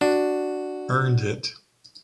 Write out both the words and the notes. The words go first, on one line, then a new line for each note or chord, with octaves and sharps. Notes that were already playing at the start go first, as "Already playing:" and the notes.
Earned it!
D4 F#4